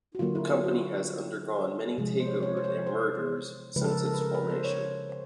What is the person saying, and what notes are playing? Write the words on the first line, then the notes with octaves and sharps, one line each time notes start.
The company has undergone many takeovers and mergers since its formation.
F#4
D3 F#3 A#3 F4
E4
F4
F#4
C3 F3 G#3 G#4
C5
C#5
C5
C#5
C5
C#5
C5
C#3 F3 G#3 B4
A4
A#4
A4
B4
A#4
B4
C5
C#5
C5